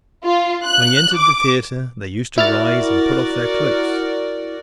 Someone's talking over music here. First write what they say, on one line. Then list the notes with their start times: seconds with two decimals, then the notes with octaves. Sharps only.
When he entered the theatre, they used to rise, and put off their cloaks.
0.25 F4
0.65 F#6
1.17 D6
2.38 E4 F#4 A#4 D5 F6 A6